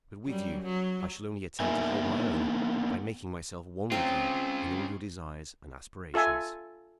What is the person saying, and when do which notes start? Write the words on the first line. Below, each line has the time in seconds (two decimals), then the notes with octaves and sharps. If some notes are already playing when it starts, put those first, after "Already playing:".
But with you I shall only attempt to hold my own by making myself one with you in all your desires and aspirations.
0.25 F#2 G3
0.63 F#3
1.60 A#3 B3 D#4 A#4 E5 G#5
3.92 C#3 C4 F4 A#4
6.14 F4 A4 E5 G#5 A5